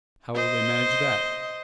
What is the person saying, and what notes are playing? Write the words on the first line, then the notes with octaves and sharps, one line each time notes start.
"How will they manage that?"
C5 D#5